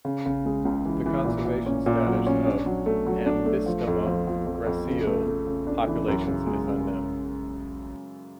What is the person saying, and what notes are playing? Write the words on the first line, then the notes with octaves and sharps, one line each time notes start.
The conservation status of "Ambystoma gracile" populations is unknown.
C#3
C#3
G#3
C#2
E3
E3
A#2
A#2
C#4
A#2
F#3
C#4
D4
F#3
A3
F#3
D4
A3
F3
F2
F3
F3
F2
F2
C#3
A3
A3
C#3
D4
E3
F#2
C#3
G#3
C#3